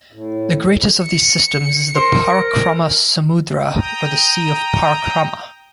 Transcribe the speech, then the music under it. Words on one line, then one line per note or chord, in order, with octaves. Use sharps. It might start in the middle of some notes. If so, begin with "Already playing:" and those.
The greatest of these systems is the Parakrama Samudra or the Sea of Parakrama.
A2
C#7
A#4 C5
G5 A#5 D#6